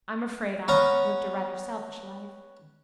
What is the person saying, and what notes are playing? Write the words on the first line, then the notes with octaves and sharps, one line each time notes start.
I'm afraid I've lived a rather selfish life.
B3 C#4 F5 A#5